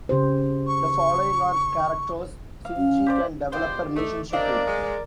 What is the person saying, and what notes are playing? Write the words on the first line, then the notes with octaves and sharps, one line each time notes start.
The following are characters Shinji can develop a relationship with.
C#3 G4 C5
C#6
F5
C#4
G4 C5 D5
G#3 B3 D4 F4 G4 C5
A3 D#4 D5
G3 C4 D4 A#4 C5 D5 D#5 F5
G#3